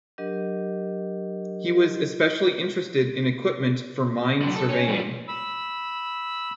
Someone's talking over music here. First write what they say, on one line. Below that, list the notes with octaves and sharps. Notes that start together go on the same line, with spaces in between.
He was especially interested in equipment for mine surveying.
F#3 D4 G4 A#4 D#5
D3 F#3
A4
C#4
F3 G3
B5 E6